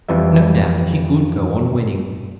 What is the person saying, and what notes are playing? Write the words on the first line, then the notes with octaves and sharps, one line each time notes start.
No doubt he could go on winning.
F2 E3 G3 E5